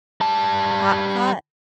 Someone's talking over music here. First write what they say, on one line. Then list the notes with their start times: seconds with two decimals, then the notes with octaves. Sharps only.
Hot pot?
0.21 G3 A5